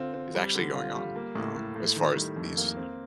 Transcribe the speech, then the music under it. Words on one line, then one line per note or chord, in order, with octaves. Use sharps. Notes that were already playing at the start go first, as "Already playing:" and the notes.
is actually going on, um, as far as these
Already playing: D3 C4 F4
C4
G3
D3
F4
G3
A#3
A2
A2
A2
D#3
G3
F2
A#3
C4